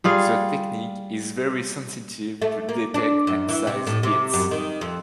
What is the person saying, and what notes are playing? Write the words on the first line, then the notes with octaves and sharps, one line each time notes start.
The technique is very sensitive to detect and size pits.
G3 F4 G#4 F5
A3
A#3
D4
F#2
E3
C3
A2
C3
F#2
D#3
F2